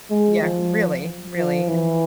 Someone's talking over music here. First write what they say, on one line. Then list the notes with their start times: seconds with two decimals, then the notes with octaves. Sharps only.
Yeah, really really, and
0.10 G#3
0.42 F3
1.37 F3
1.68 E3